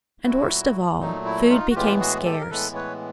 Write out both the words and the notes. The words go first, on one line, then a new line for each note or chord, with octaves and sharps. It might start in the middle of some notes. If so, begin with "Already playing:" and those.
And, worst of all, food became scarce.
A#2 F#3 A3 E4 F#4
A#2 F#3 A3 D#4
E4
D#4 F4
F#4
A2 E3 G#3 B3 F4 G4
F#4 G#4
G4 A4
A#4
A2 E3 G#3 B3 A4 B4
B4 C#5